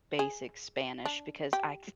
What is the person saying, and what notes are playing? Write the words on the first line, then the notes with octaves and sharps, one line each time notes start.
basic Spanish because I
G#4
D4
G4